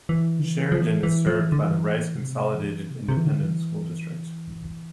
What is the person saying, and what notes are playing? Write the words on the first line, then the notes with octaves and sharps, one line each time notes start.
Sheridan is served by the Rice Consolidated Independent School District.
E3
D3
E3
F3
E3
E3
F3
E3
D3
E3
B2
C3
E3
C3
C3
E3
D3
E3